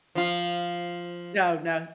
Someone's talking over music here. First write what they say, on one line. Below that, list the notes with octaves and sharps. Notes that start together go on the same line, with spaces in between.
No, no.
F3 F4